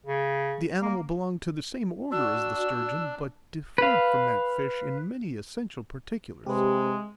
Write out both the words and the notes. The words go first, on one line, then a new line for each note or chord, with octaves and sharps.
The animal belonged to the same order as the sturgeon, but differed from that fish in many essential particulars.
C#3
A#3
D4 F#4 D5 E6
B4 F5
C3 G#3 G4 B4